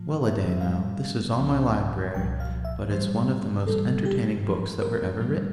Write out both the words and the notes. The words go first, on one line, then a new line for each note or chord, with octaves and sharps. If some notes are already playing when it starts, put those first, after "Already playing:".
'Well-a-day now, this is all my library, but it's one of the most entertaining books that were ever written!
Already playing: A2 F3
E5
E5
A2 G3 F5
C2 A#2 F3
C2 A#2 F3 G5
F5
E5
A2 E3 G3 C5
A2 E3 G3 A4
G4
G2 F3
A#4
A2 E3 G3